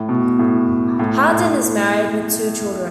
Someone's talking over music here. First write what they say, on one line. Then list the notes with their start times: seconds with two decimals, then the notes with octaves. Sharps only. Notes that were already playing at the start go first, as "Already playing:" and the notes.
Hardin is married, with two children.
Already playing: A2
0.09 B2
0.39 A2
0.99 A2
1.29 A2